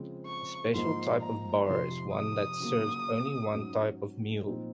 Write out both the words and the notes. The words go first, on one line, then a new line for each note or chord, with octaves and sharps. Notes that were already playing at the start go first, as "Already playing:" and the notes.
A special type of bar is one that serves only one type of meal.
Already playing: C#3 F3 G#3 C4
C#6
G#2 F3 A#3 D#4 C6
A#5
F2 C3 F3 C6
D#6
C#3 F#3 A#3
G#2 F#3 C#4
A#2 F3 C4 D#4